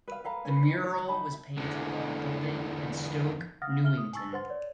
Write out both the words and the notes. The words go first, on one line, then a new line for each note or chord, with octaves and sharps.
The mural was painted on a building in Stoke Newington.
B4 F5
A4 B4 F5 A#5
C#4 B4
C#5
D#4 A5 B5
E5
E2 D3
F5 F#5 D#6 F6 A6 A#6
E5 F6 G7
D#6
G#5 A5 C#6 E6 A6
B4 C5 F#5 C6 A6
C#5 D5